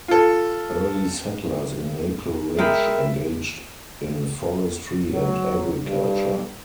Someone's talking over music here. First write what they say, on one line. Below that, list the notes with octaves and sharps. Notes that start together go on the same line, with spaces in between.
Early settlers in Maple Ridge engaged in forestry and agriculture.
F4 A4
G#3 A#4 E5 G5 B5
F#3
G2